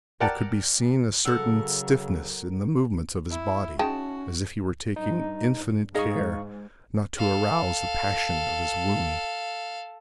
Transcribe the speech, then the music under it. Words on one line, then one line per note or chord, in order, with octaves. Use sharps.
There could be seen a certain stiffness in the movements of his body, as if he were taking infinite care not to arouse the passion of his wounds.
A#4 D5 F#5 G5 A5
C#3 F#3 A4 A#4 F#5 E6
E4
G#3 C#4 D#4 F#4 G5 A5
G2 D#4
G#2 D#4 G#4 D#5 F5 C#6
A4 F5